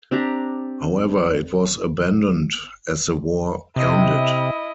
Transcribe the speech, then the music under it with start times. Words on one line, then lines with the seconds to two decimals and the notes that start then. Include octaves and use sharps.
However it was abandoned as the war ended.
0.11 C4 D4 G4 A#5
3.76 C3 E4 D#5